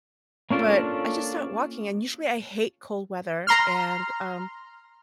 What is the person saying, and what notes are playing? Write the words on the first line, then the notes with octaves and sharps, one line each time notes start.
but I just started walking, and usually I hate cold weather, and, um,
A#3 C#4 D4 F4 A4
A#5 C6 F6